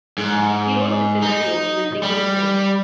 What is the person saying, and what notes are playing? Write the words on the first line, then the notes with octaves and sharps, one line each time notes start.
He wrote the scenario in a single night.
G#2
D#4
G3